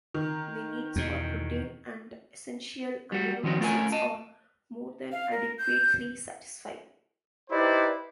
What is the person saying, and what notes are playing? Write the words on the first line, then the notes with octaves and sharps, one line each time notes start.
The needs for protein and essential amino acids are more than adequately satisfied.
D#3
E2 B2
G3 F#4
D#3 F3 B3 C#4 F#4
A3 C#4 F4 A#4 C#5 G#5
D#5 A5
F5
A#4
G6
D#4 E4 G4 B4 C5 D5